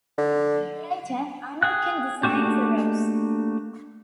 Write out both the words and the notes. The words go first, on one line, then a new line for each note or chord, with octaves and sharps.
Later, American designs arose.
D3
G#4 G5 F#6
A3 A#3 D4 F#4 G4